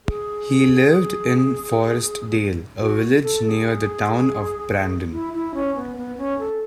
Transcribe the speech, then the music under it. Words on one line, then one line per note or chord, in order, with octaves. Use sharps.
He lived in Forest Dale, a village near the town of Brandon.
G#4
F#4
A4
A4
G#4
E4
E4
C#4
B3
B3
C#4
A4